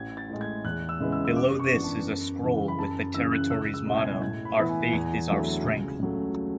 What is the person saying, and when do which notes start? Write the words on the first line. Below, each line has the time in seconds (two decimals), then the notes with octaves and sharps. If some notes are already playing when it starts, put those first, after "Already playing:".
Below this is a scroll with the territory's motto, "Our faith is our strength".
Already playing: A1 G#6
0.17 A6
0.30 A2 G#3
0.41 G#6
0.65 E2 F#6
0.89 E6
1.00 C#3 G#3 B3 E4
1.12 E6
1.25 E6
1.36 F#2 D6
1.60 C#6
1.72 E3 B3 D4
1.83 A5
2.07 F#2
2.43 C#3 E3
2.68 B5
2.79 F#2 A5
3.14 C#3 E3 E6
3.32 F#6
3.50 C#2 E6
3.74 E6
3.86 B2 G#3 C#4 E4
3.98 G#6
4.21 A2 G#6
4.45 B5
4.58 E3 B3 E4
4.69 G#5
4.93 E2 G#5
5.28 D3 F#3 A3 E4
5.64 C#2
6.00 C#3 F#3 A3